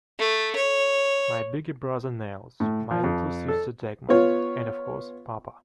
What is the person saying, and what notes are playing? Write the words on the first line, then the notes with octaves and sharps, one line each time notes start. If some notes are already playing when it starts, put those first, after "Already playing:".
My big brother Nels, my little sister Dagmar, and of course, Papa.
A3
C#5
A2
F3
F2
A4
B3 F4 C#5